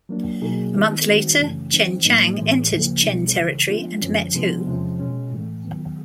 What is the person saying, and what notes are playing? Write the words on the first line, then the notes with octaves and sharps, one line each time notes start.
A month later, Chen Chang entered Chen territory and met Hou.
F#3 A#3 D4
B2 F#3 A#3 D#4 G#4
D#3 G#3 B3 D#4
D#3 G3 C4 D#4 F#4
F#2 C#3 E3 A3 C#4
E3 G#3 C4 D#4
A2 F#3 A#3 D#4
A2 E3 G#3
D2 C#3 F3 A#3
C2 B2 G3 B3 D#4
C#2 C#3 E3 G#3
F3 G#3 B3 D4 F4
F#2 D3 F3 G#3 C#4
C3 F3 G#3 B3 D4
E2 C3 F3 G#3 C#4
B2 G#3 C#4
A2 E3 A3
D#3 F#3 B3